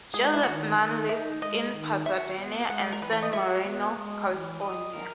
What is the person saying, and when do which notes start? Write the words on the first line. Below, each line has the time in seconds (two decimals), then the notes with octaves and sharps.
Joseph Nunn lived in Pasadena and San Marino, California.
0.14 G#3 G#4
0.24 F#4
0.33 E4
0.43 D#3 F#4
0.78 D#3
1.09 D#4 E5
1.42 G#3 D#5
1.74 D#3
2.06 F#4 E5
2.38 B3
2.69 G#3 F#5
2.92 A#4
3.02 E3 B4
3.13 C#5
3.23 D#5
3.33 F#4 E5
3.65 B3
3.96 G#3
4.30 E3
4.61 D#5
4.93 A#4